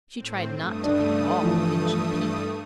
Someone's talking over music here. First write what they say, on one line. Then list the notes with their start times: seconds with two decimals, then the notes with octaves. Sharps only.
She tried not to think at all of Injun Pete.
0.16 A2 C4
0.55 G2 A3 D#6
0.84 D4
1.42 E3 F3 E4